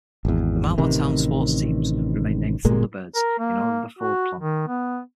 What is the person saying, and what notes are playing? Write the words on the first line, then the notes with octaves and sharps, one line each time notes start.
The Mahwah town sports teams remain named Thunderbirds in honor of the Ford plant.
G#1 E2
A1 C3 D#3
G1 A#2 G#3 A#3
A#4
A#3
F#4
D#3
B3